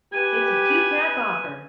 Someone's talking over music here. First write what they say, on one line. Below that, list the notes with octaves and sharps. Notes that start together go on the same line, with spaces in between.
It's a two-pack offer.
G4 B4 G#5